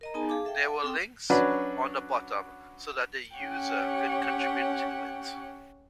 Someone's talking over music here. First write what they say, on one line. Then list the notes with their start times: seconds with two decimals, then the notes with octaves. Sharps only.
There were links on the bottom so that the user could contribute to it.
0.01 A#4 D#5 A#5
0.14 B3 D#4 G#4 G#5 A5
0.29 G#4 F5 A5 D6
0.45 A4 E5 F5 G5
0.63 A4 F#5
0.84 C4 A4 G5 D6
1.30 F#3 C#4 D4 F#4 B4
3.36 C#4 G4 C#5 F#5 G5